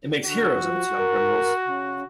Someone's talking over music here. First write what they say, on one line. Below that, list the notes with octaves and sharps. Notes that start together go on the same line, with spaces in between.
It makes heroes of its young criminals.
D3 F#4
F3
A#4
C#3